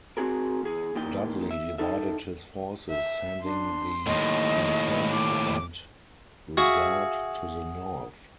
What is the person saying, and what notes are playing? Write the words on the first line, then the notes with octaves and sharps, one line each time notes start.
Dudley divided his forces, sending the "Intent" and "Regard" to the north.
C4 F#4 G#4 A#4
E2 G#4
E2 A#2 D#3 G5
E5
D#4 A4 E5
E5
D4 C6
D#2 A2 D#5
D6
F#4 G#4 E5 F5